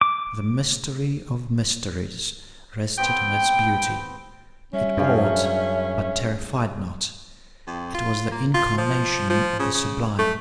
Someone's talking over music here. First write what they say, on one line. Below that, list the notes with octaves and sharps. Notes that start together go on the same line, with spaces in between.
The mystery of mysteries rested on its beauty--it awed, but terrified not: it was the Incarnation of the sublime.
D6
B3 C4 G4 G5
G3 C#4 E5
F#2 D4 G#4 F5
F2
F4
A#3
F4
F3
F3
C#3
C#3
A3